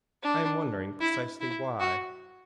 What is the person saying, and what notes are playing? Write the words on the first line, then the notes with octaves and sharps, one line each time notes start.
"I am wondering precisely why."
D4
E4
E4
F#4